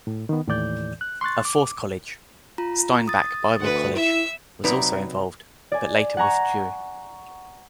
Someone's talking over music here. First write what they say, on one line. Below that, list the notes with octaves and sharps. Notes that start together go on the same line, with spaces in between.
A fourth college, Steinbach Bible College, was also involved, but later withdrew.
A2
D#3 B3
D#2 A2 E3 D5 G6
F#6
C6 C#6 F#6 A6
D6
F4 A#5
D#6 A6
D2 B4 F#5
E4 E5 E6
C3 F#3 D#4 B4 D5 A#5
D5 G#5
F#5 G#5 A#5 C#6